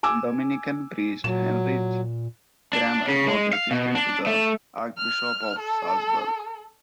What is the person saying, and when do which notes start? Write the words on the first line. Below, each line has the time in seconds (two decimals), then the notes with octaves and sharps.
Dominican priest Heinrich Kramer was assistant to the Archbishop of Salzburg.
0.03 G#5 D6 E6
1.24 A#2 F#3 E7
2.73 D4
3.07 C#3
3.27 G#3
3.53 F5
3.71 B2
3.95 D4
4.27 A3
4.97 F6
5.59 A4